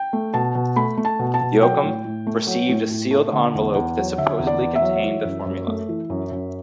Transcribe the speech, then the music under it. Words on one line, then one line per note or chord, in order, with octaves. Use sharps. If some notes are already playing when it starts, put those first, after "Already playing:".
Yoakum received a sealed envelope that supposedly contained the formula.
Already playing: G5
A3
B2 A5
B2
A3 B5
A3
A5
B2
A5
B2
F#3 G5
A2
A2
A3
F#3
A2
A2
A3
D3
E2
E2
F#3
D3 E5
E2
D5
E2
E5
F#3
E3
F#2
F#2
A3
E3
F#2
F#2